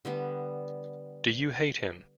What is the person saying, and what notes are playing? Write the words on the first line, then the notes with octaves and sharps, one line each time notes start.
Do you hate him?
D3 G3 B3